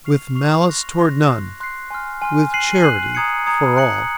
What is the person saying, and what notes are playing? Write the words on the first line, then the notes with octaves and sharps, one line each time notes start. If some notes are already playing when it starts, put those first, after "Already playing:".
"With malice toward none; with charity for all."
C#6 F6 C7 F7
C#6 F6 C7 F7
C6 F#6 A#6
C6 F#6 A#6
C6 F#6 C7
C6 F#6 C7
G#5 C6 F6
G#5 C6 F6
F#6 C7 D#7 F#7
F#6 C7 D#7 F#7
A#5 D#6 G#6 C#7
A#5 D#6 G#6 C#7
F#6 C#7 F#7